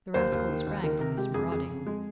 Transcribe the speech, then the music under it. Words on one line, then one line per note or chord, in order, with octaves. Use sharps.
The rascal sprang from this marauding.
D#2 C5
D#2
D#3
D#2
D#3 A#4
C3 A#4
G#3 G4
F2 G#4
F2 G#4
F2
G#3